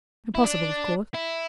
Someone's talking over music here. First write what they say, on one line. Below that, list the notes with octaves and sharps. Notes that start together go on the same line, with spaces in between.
Impossible--of course.
E4
D4
E4